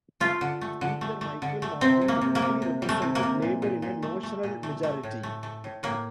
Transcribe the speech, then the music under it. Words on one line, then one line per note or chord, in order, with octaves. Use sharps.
Speaker Michael Martin technically represented Labour in a notional majority.
A3 F4
D3
A3
D3
A3
A3
D3
A3
C3 C4
C3
A#3
C3
A#3
C3
C3
G3
A3
C3
A#3
C3
A#2
A#2
A#2
A3
A3
A#2
A3
A3
A2
A3
A3
A2
A2 A#3